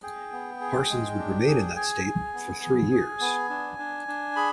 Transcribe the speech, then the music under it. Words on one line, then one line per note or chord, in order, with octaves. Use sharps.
Parsons would remain in that state for three years.
G#4 G5
B3
G#4
G#3
D4
G#4
G#4 G#5
G#4
B3
G#4
G#4
B3
D4
D4
D4
G#4 B5